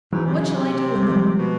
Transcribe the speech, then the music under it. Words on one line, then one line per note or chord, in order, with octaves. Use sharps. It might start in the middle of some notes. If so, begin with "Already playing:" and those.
What shall I do with them?'
G#2 E3 F#3
C3
C#3
C3
G3
G#3
F3 G3
B2